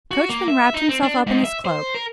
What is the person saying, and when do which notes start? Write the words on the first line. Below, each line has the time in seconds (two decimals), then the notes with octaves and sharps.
The coachman wrapped himself up in his cloak.
0.11 F#4
0.29 A#3
0.48 E5
0.74 D#4
0.89 C4
1.03 D4
1.27 G#2
1.44 E5
1.65 C5
1.94 A#4